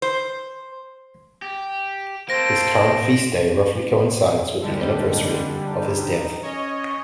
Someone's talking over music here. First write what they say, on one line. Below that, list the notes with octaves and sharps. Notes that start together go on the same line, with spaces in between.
His current feast day roughly coincides with the anniversary of his death.
C5
G4
A#3 A4 C5 A#6 D7
D#2 D3 G3 G#3
D#4
C#4 C#5 D#5